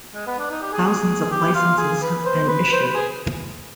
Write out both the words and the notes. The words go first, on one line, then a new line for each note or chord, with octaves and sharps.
Thousands of "licenses" have been issued.
G#3
B3
D4
D#4
G4
G#4
G#4
G4
F4
G#4
B4
C5
B4
C5
B4
G#4